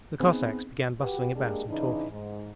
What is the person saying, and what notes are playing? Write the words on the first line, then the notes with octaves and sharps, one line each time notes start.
The Cossacks began bustling about and talking.
B3 C4 D#4 G#4
F#4 G4 B4
G#3 A#3 D4 G4 G#4
C#3 E3 D4 D#4
G#2